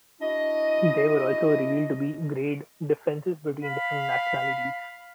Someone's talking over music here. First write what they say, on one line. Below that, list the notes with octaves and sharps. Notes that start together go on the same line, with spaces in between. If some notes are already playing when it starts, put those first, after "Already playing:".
There were also revealed to be grade differences between different nationalities.
D4 E4 F#4 D#5
F5 B5